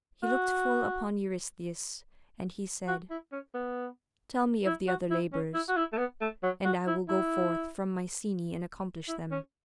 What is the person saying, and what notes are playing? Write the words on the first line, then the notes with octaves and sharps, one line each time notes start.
He looked full upon Eurystheus and he said, "Tell me of the other labors, and I will go forth from Mycenae and accomplish them."
F#4
F#4
E4
C#4
B3
E4
F#4
E4
C#4
E4
F#4
E4
A3
B3
A3
F#3
F#4
E4
E4
E4
C#4